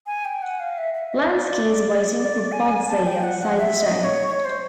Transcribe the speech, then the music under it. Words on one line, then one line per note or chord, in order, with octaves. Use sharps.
Lansky is waiting for Bugsy outside the jail.
G#5
G5
F#5
F5
E5
E5
D#5
D5
D5
D5
G#5
A5
G5
F#5
F#5
E5
D#5
C#5
C#5
C5